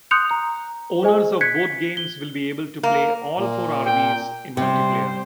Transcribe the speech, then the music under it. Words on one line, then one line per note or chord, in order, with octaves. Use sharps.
Owners of both games will be able to play all four armies in multiplayer.
C6 D#6 F#6 G6 C#7 F7
A#5
G#4 C5 D#5 G#5
F#6 G#6 B6 C#7
G7
A#3
A#2
G5
C3 G3 C5